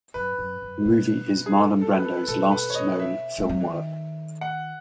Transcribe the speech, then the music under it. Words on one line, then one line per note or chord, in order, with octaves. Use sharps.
The movie is Marlon Brando's last known film work.
F#2 B4
F#2
F#2
B2
G#4
A4
A4
B4
A4
B4
B2 A4
B4
C#5
D#5
E5
G#3
F#3
E3
D#3
F#5